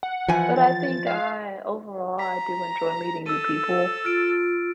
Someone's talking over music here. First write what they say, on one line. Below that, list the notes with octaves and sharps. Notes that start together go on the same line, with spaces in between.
But I think I overall, I do enjoy meeting new people.
F#5
E3 F3 G#5
A6
F5
A#5 B6
A4 E6 D#7
F4 F6 A6 D7